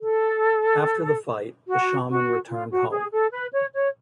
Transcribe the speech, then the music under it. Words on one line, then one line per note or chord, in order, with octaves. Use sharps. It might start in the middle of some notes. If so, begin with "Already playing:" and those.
After the fight, the shaman returned home.
A4
F#4
F#4
F4
F#4
G#4
A4
B4
C#5
C#5